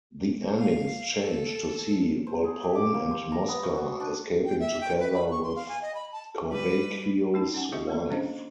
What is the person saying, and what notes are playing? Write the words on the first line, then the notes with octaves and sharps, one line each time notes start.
The ending is changed to see Volpone and Mosca escaping together with Corbaccio's wife.
F5
A4
C5
G#4
G4
D6
A#3
C5
A#5
B3
C#6
F#4
D4
G5
E5
G5
B4
B5
C#6
C6
F5
G#5
D#5
B5
A5
G3 B4
A3 D#4 A5
C#4 F#5 G#5
C4 F4 G4 G#4 D#5 E5
A3 B3 A4
A#3 C#4 D4 C5 D#5 F5